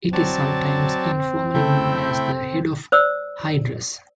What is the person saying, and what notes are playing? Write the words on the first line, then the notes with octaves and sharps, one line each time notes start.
It is sometimes informally known as the Head of Hydrus.
F#3 C4 D5 A5
C#3 A3 E4 A4 G5
C5 D5 E6